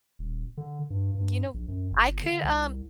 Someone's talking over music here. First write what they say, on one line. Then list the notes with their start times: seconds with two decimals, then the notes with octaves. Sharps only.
You know, I could, um
0.19 D#1
0.57 D3
0.90 G2
1.15 G2
1.54 A#1
1.68 F#2
1.91 G1
2.23 D3
2.44 C2